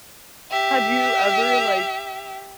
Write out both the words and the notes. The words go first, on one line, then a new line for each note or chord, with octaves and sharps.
Have you ever, like,
G4 E5